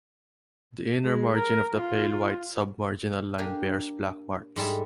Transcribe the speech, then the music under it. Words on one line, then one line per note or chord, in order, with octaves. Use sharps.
The inner margin of the pale white sub-marginal line bears black marks.
G#3
A#4
F4
A#3 D4 G4 G#5 A#5
G#2 G3 G#3 A4 E5